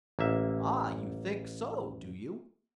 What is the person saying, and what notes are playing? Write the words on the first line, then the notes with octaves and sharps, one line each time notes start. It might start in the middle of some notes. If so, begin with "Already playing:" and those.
"Ah! you think so, do you?"
A1 A#3 E5